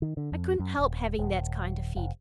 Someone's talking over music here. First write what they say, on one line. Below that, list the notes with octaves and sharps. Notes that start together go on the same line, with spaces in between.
I couldn't help having that kind of feet.
D#3
D3
F2
F#2
D#1
D#1
F1